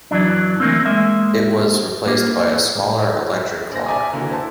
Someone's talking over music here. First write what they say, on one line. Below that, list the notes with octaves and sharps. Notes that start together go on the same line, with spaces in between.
It was replaced by a smaller, electric clock.
F#2 E3 F#3 D4
E3 A3 A#3 C4
G#3 A#3 E5
A#3 F4
A#1 C5 A#6
D5 E5 G#5 A#5 D6 D#6
D3 E3 A#3 F#4
E4 C5 A5